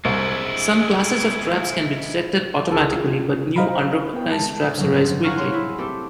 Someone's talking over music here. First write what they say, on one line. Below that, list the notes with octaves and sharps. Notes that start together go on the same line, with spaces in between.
Some classes of traps can be detected automatically, but new, unrecognized traps arise quickly.
C2 G#3 E4
C#2 G#4 A#4 A5 E6
F4 G#4
C5 D#5 F5 A#5 B5
B3 G5
G#3 A5
G1 F#3
C4
F5 F#5 G#5 A#5 C#6 F6
G#4 C#5 G#5 C6
E4
A3 C4 G4 A4